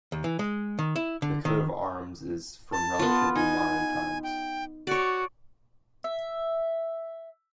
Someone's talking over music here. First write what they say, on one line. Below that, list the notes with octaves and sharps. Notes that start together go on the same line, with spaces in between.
The coat-of-arms is from relatively modern times.
D#2
E3
G#3
D#3
E4
D3
D#3
A5
B3 F4
D#4 G#5
G5
F#4 C#5 D5
E5